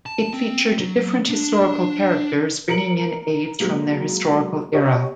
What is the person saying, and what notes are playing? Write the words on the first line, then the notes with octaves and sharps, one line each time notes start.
It featured different historical characters bringing in aids from their historical era.
A5
C4
F#3
D4
A#4 C#7 D7 F#7
F#3 G#3 A#3
G4 C#5 D#5